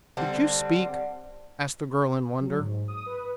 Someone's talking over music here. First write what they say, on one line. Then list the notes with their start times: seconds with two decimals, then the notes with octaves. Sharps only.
"Did you speak?" asked the girl, in wonder.
0.17 D3 G3 C4
2.41 F#3
2.59 G#2
2.88 D#6
3.06 B4